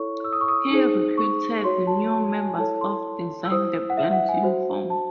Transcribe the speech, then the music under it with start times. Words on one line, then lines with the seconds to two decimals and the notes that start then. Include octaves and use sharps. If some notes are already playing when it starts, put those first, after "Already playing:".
He recruited new members and designed the band's uniform.
Already playing: E4 A4 C#5 C#6
0.24 E6
0.32 D#6
0.41 C#6
0.48 D#6
0.71 D#4 G#4 C5
1.18 C#6
1.64 F#4 C#5 C6
1.87 A5
2.11 A5
2.35 G#5
2.48 G#5
2.58 E4 A4 C#5 A5
2.81 C6
3.45 E6
3.51 E4 C5 D#6
3.90 F#5
3.97 E5
4.13 F#5
4.29 G#5
4.43 F#4 C5
4.90 A5